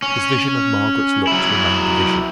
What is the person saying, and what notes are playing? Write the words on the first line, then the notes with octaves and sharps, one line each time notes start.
His vision of Margaret's looks remained a vision.
C#4
F#3 E4